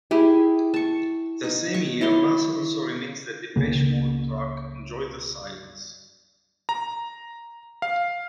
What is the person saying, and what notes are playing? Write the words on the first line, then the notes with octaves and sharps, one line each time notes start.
The same year, Maas also remixed the Depeche Mode track "Enjoy the Silence".
E4 G4 G#4
A5 C#6
D#4
C#6
E4 C#5 C6
C#2 C#3 A#3
A#5
F5